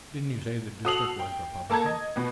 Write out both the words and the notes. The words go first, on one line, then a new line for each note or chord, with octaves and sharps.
"Didn't you say the district was Republican?"
F#4 A4 D#6 C7 F7 F#7
G5
A#3 A4 A5 A#5 G#6
D#5
B2 B3